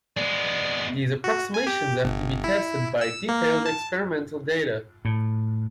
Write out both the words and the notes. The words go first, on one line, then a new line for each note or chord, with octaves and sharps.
These approximations have to be tested by detailed experimental data.
G#3 B3 D5
F#4
G#5
G4
G1
E4
E6
A#3
A5
A2